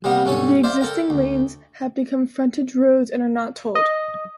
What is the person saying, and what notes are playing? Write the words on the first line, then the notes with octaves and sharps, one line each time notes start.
The existing lanes have become frontage roads and are not tolled.
C3 G3 A#3 B3 A#4
B1 G2 C#4 A4 C#5 G#5
C5 D5 E5 F5
A4 A#4 G5
D2
D#5